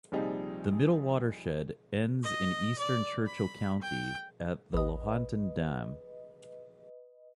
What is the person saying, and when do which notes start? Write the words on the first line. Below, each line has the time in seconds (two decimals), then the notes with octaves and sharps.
The middle watershed ends in eastern Churchill County at the Lahontan Dam.
0.12 A#1 C3 F3 G3 D#4 G#4
2.24 D#5
2.79 D5
3.26 B5
3.82 G5
4.74 A1 B4 D#5 D#6